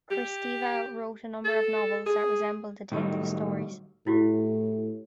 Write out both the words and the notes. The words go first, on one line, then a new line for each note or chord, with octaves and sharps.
Kristeva wrote a number of novels that resemble detective stories.
G4
A4
G#4
A2 D#3 F#3 G3
A2 E4 F#4 G4